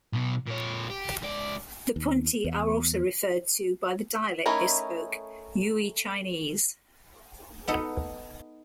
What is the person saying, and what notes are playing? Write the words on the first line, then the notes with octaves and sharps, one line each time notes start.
The Punti are also referred to by the dialect they spoke, Yue Chinese.
B1 B2
A#2 C#5
G4
C#2 D5
D#2
E2
A3 C#4 D#4 E4 A#4
B3 D#4 A4